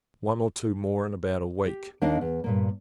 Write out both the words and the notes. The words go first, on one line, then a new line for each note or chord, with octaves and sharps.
One or two more in about a week.
G4
D#2 A#3 D4 D#4 D#5
E2
G2 A#2 A#3